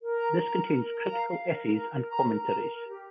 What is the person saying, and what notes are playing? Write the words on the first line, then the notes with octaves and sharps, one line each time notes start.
This contains critical essays and commentaries.
A#4
A#5
A#5
A#4
A#4
A#4
A#5
F5
F5
A#4
A#5
A#4
A#4
A#5
A#4
A#5
A#4
A#4
G4